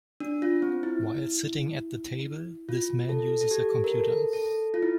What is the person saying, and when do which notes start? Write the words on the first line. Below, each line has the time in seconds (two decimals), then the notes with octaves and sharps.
While sitting at the table this man uses a computer.
0.20 D4
0.42 F4
0.62 C4
0.83 E4
2.69 F4
3.09 A4
3.41 A4
3.51 G4
3.84 A#4
3.92 A4
4.33 A4
4.74 F4
4.82 E4